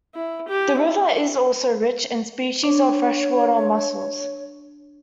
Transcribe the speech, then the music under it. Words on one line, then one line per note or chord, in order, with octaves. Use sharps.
The river is also rich in species of freshwater mussels.
E4
G4
E4
D4 C#5